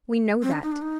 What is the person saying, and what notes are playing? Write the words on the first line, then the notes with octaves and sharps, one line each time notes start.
We know that.
C4
D4
D#4
D4
D#4